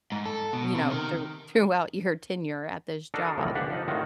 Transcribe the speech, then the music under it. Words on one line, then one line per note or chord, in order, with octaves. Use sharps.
you know, through throughout your tenure at this job?
G#2
A4
B2
C3
D#3
D4 D#4 F#4 A4 A#4
C2 A2 E3 F3 G#3
C#2 G#2 D3 D4 G4 F#5
F3 D#4
A2 D#3 G#3 C4 F4 F#4